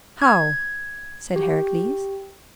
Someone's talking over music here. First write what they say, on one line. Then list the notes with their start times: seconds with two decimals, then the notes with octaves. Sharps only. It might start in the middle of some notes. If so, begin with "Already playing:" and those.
"How?" said Heracles.
0.22 G#6
1.36 G4